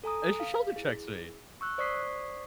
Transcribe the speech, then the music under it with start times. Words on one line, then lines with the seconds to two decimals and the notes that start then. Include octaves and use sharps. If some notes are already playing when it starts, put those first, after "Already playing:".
And she shoulder checks me.
0.04 A4 G#5 A#5 D#6
0.40 F5
0.76 E4 G#4
1.61 C#6 E6 F#6
1.78 C5 D5 C#6 D#6 B6 C7